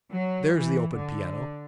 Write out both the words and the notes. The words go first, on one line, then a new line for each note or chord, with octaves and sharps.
There's the open piano.
F#3
E3
D3